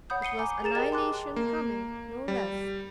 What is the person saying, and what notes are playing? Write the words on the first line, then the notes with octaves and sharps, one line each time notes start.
It was annihilation coming--no less.
C#5 F#5 B5 D#6 G6
C7 C#7 D#7 G7
G#5 A#5 B5 D6
G#4 A#4 A#5 A6 E7
G4 A#4 D#5 G5 A6
A5 C6 D6 F#6
A#3
G3